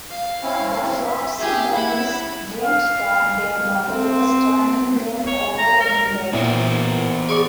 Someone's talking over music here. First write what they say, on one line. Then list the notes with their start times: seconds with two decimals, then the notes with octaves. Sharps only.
The Flopsy Bunnies dreamt that their mother was turning them over in bed.
0.10 F5
0.42 C4 C#4 E4
1.05 E5
1.39 G4 G#4 E5
1.73 E4 F#5 B5
2.61 F5
3.91 C4
5.27 C#5
5.58 A#5
5.80 A#4
6.33 A#2 E3 B3 C5 E5
7.29 G#4 D5 C#6 D7